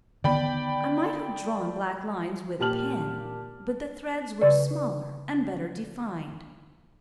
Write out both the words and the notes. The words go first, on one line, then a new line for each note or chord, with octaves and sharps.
I might have drawn black Lines with a Pen, but the Threds were smaller and better defined.
D3 D#3 B3 D5 G5 B5
A#2 G4 A5 F6 F#7
C#3 D5